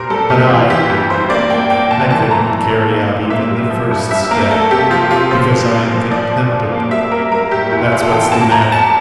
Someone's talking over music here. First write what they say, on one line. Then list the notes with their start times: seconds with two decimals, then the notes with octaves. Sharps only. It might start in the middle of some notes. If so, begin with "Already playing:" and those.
But I... I couldn't carry out even the first step, because I am contemptible, that's what's the matter!
Already playing: A#2 G3 A#4 C5
0.10 G3 A4
0.30 A#2 G4
0.50 E3 F4
0.70 E3 G4
0.90 G2
1.10 E3 C5
1.30 A#3 D5
1.50 A#3 G5
1.70 A#3 G5
1.90 A#2 A5
2.10 E3 A5
2.30 A3 A#5
2.50 E3
2.70 A3
2.90 A#3
3.11 A#2
3.30 A#3 E5
3.51 G3
3.71 F3
3.91 G2
4.11 G2 E5
4.31 A#3 A#4
4.51 A3 A4
4.71 C3 G4
4.91 F3 F4
5.11 C3 F4
5.31 F3 C5
5.51 A#2
5.71 A#3
5.91 F3
6.11 F3 D5
6.31 A#2
6.51 A#2
6.72 A#3
6.91 G3 E5
7.11 A#3 A#4
7.32 G3 A#4
7.51 A2 G4
7.71 E2 E4
7.81 F4
7.92 E2 F4
8.02 A4
8.12 E3 G5
8.32 A#3 A5
8.52 A#3 A#5
8.72 E2 A5